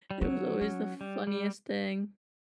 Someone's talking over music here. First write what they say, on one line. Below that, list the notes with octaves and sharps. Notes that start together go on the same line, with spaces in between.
It was always the funniest thing.
G3
F#3 D4
C#4
G3
G3